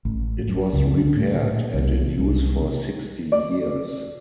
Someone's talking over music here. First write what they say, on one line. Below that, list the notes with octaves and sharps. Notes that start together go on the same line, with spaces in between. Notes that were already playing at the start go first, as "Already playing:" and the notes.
It was repaired and in use for sixty years.
A1
F#2
C#2
D3
A2
A#2
C2
C2
D5